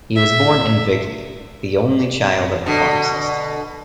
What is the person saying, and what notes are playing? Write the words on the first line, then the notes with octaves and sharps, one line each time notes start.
He was born in Vichy, the only child of a pharmacist.
E5
B2 D3